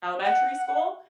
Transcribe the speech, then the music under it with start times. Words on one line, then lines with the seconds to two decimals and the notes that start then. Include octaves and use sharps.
elementary school,
0.25 F#5